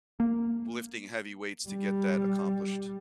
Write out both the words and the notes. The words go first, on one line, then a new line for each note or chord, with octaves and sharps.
lifting heavy weights to get that accomplished.
A#3
G3